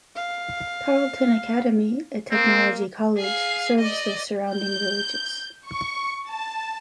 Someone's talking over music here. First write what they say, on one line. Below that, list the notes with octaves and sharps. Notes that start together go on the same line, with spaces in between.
Tarleton Academy, a Technology College, serves the surrounding villages.
F5
A#3 C4
G#4 F5
D5 D#5
G6
C#6
A5